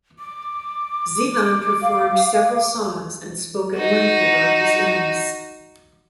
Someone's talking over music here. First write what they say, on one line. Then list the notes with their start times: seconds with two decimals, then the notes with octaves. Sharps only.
Zevon performed several songs and spoke at length about his illness.
0.19 D6
1.82 F5
3.77 D#4 F#4